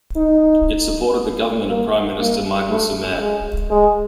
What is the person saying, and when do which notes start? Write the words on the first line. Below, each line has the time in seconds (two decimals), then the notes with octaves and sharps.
It supported the government of Prime Minister Michael Somare.
0.16 D#4
1.68 A#3
2.19 A#3
2.69 A3
3.20 G#3
3.71 G#3